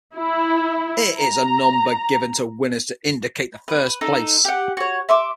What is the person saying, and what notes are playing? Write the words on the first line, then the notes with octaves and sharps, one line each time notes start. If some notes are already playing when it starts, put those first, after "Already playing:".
It is a number given to winners to indicate the first place.
E4
A#5
B4
D#4 A4
G4 F#5
F#4 C#5
E5 C6 D6